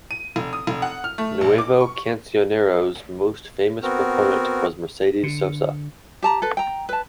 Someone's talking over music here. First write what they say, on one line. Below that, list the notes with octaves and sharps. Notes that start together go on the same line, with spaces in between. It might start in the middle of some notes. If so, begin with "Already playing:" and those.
Nuevo Cancionero's most famous proponent was Mercedes Sosa.
D#7
F1
D#6
F1
F#5
F6
A3
A#1
D6
C#6
B3 C4 F#4 A#4
D3
G4 A5 A#5
A4 B4
G5 A#5
B4 A5